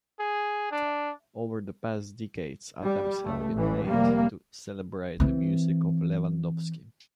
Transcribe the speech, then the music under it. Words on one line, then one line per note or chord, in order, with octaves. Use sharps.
Over the past decades attempts have been made to celebrate the music of Lewandowski.
G#4
D4
G3
C#2 A3
A1 A2 E3
F1 C3 G3 A#3
E3 C4